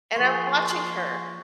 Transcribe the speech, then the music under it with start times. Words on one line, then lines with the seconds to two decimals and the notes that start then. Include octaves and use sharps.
And I'm watching her
0.16 F3 A#3 G#4 C6 C#6